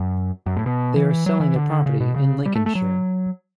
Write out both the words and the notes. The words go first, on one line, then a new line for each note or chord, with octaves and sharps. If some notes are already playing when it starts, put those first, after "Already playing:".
They are selling their property in Lincolnshire.
Already playing: F#2
F#2
A2
B2
E3
F#3
E3
D3
C#3
B2
C#3
G3
A3
A3
F#3